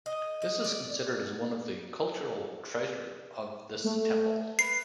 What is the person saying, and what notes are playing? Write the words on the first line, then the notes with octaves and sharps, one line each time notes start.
This is considered as one of the cultural treasure of this temple.
D#5
D#5
D5
A3
B4 C7